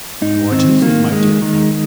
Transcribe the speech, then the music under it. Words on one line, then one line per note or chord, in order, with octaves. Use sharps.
"What is it, my dear friend?"
G#2 D#4
D#3 C4
D#3 A#3
D#3 G#3
D#3